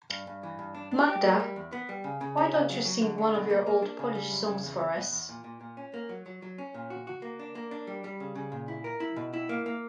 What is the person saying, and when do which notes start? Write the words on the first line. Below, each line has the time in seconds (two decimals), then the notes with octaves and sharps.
Magda, why don’t you sing one of your old Polish songs for us?
0.10 G2
0.27 G2
0.43 E3
0.59 G2
0.75 D4
0.91 D4
1.08 G4
1.24 A#3
1.40 G3
1.56 E2
1.72 B3
1.89 G3
2.04 C#3
2.21 C#3
2.37 C#4
2.53 C#3
2.70 F#3
2.85 F#3
3.02 D3
3.18 D3
3.35 B2
3.50 A#3
3.66 A#3
3.82 D4
3.99 C#3
4.15 G3
4.31 F#2
4.47 C#3
4.64 E2
4.80 E2
4.96 B2
5.12 E2
5.29 A#2
5.44 A#2
5.61 A#2
5.77 C#4
5.94 A#3
6.09 F#3
6.26 F#3
6.42 F#3
6.58 C#4
6.74 A#2
6.90 F#4
7.07 F#4
7.22 A#3
7.39 D4
7.55 A#3
7.71 D4
7.87 G3
8.04 G3
8.20 C#3
8.35 C#3
8.52 A#2
8.68 E4
8.84 A#4
9.00 E4
9.16 B2
9.33 E4
9.49 A#3
9.66 A#3